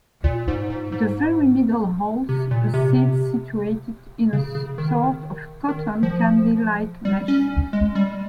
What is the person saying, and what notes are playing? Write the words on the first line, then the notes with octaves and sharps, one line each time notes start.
The very middle holds a seed situated in a sort of cotton-candy-like mesh.
A#2
G#2
G#2
G#2
C3
A#2
C3
C#3
C#3
D#3
D#3
F3
G3
C#4
G#3
G3